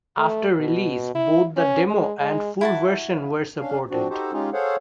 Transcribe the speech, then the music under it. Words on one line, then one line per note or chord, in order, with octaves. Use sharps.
After release both the demo and full version were supported.
A3
B2
E4
C#4
G#3
G#3
E4 F#4 A5
C#4 D4 F5
F3 C4 D4 F#4
D#4 F#4 G4 A4 C5
G#3 C#4 D#4 F4 G4 G#4
G#4 A4 C5 C#5 F5 F#5